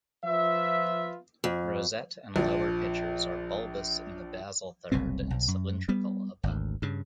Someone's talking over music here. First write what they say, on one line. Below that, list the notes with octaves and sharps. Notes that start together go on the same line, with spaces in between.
Rosette and lower pitchers are bulbous in the basal third and cylindrical above.
F3 F4 B4 E5
F2
A#1 F3
F#1 C2 B2 C4
B1
F#2
G3 B3
G#1 D2
G2 C#3